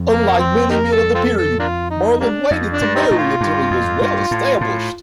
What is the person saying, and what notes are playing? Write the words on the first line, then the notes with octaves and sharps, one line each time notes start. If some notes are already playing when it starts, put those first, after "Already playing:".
Unlike many men of the period, Marland waited to marry until he was well-established.
Already playing: F2
A#3
C4
D#4 G4 A#4
A4
C4 F4 A4
A4
A#3 D4 F4
D#4
G3 A#3 D4
F2
D4
G2
G3 C4 D#4
A2
F4
G2
F2
G2
A2
A2